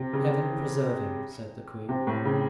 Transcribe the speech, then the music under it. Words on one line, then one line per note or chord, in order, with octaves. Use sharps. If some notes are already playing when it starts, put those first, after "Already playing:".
"Heaven preserve him!" said the queen.
Already playing: C3
C#3
C3
A2
C#3